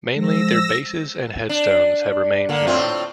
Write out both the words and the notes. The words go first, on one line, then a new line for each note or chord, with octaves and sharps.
Mainly their bases and headstones have remained now.
F3 G#3 E6 A#6
D4
D3 A#3
A2 C4 F4